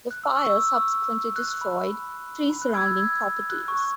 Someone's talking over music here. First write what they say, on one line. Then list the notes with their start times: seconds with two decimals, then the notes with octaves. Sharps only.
The fire subsequently destroyed three surrounding properties.
0.11 F#6
0.24 E6
0.36 C#6
0.50 E6
1.36 F#6
1.48 F#6
1.61 B5
2.50 B5
2.62 F#6
2.74 E6 G#6
3.50 F#6
3.68 C#6